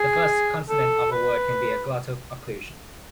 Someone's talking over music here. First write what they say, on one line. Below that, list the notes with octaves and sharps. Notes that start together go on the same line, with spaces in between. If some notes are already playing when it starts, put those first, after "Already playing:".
The first consonant of a word can be a glottal occlusion.
Already playing: G#4
A4
B4